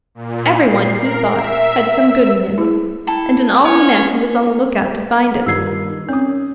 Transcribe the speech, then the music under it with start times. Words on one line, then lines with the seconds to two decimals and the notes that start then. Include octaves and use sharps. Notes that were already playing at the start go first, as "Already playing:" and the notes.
Everyone, he thought, had some good in him, and in all he met he was on the lookout to find it.
0.15 A#2
0.52 C7
0.97 A#4
1.31 E5
1.99 E6
2.58 E4 G#4
3.07 E4 A4 G5
3.64 C#4 B4 C#5
5.46 G2 D#3 F4 E6 G#6 C7
6.09 C4 C#4 C#5 D#6